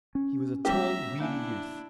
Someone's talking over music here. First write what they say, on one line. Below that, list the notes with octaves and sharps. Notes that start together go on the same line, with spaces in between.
He was a tall, weedy youth.
C#4
G3 G#3 B3 G4 E5 A#5
A#3 D4 E4 E5 G#5